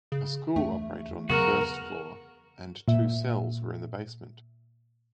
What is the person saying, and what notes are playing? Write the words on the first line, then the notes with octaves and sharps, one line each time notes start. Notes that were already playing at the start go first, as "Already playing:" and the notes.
A school operated on the first floor, and two cells were in the basement.
C#3
E2 A3 D4
E2 C#3 F#3 B3 F#4 A#4
A#2 E5